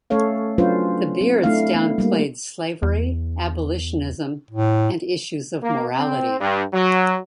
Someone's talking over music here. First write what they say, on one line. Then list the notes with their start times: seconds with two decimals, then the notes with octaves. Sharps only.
The Beards downplayed slavery, abolitionism, and issues of morality.
0.10 A3 C#4 A4 C#5 F5
0.58 F#3 C#4 D4 F4 B4 C5
1.21 C4
1.43 A3 D4 E4 F5
1.74 B3
1.98 G3 A#3
2.82 E2
4.51 A2
5.63 A#3
5.97 C4
6.41 G2
6.73 F#3